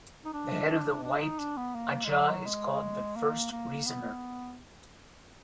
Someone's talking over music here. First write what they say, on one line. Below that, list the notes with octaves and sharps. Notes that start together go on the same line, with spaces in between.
The head of the White Ajah is called the First Reasoner.
D#4
D4
D4
D4
D#4
D4
B3
A#3
G#3
F#3
G#3
A#3
A#3
B3